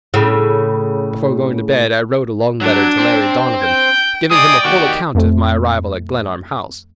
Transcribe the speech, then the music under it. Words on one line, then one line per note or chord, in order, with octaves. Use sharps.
Before going to bed I wrote a long letter to Larry Donovan, giving him a full account of my arrival at Glenarm House.
A2 C#3
F#3 D4
C4
G5 G6
G#3 D5 G5 D#6
D#3 F#4 G4
F2 A3 C4